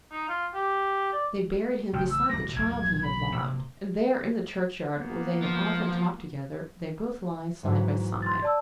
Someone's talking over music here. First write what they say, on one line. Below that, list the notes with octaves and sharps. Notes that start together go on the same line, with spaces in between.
They buried him beside the child he had loved, and there in the churchyard where they had often talked together they both lie side by side.
D#4
F4
G4
D5
A1 C#3 G5
E6
D1 G3 A#6
E1 B1 A#2 G#6
B5
C3 A#3
A#3 B3
F3
G#2 E3 F#3
C6 A6
D5 A5 E6